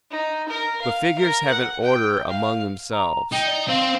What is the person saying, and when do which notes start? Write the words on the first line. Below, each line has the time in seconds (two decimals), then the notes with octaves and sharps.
But figures have an order among themselves.
0.11 D#4
0.49 A#4
0.82 F5
1.19 A#4
1.49 F#5
1.83 G5
2.29 F5
2.92 A#5
3.32 D#4 G5
3.46 D5
3.68 C4 C5 F5